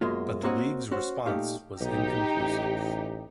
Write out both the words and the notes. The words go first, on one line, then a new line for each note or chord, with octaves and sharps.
But the league's response was inconclusive.
F#2 B2 G#3 A#3 F4
A#3 C4 F#4 C#5 D#5
C#4 F#4 C5
A#2 A3 D#4 G4 F5
B1 D#4 G4
A1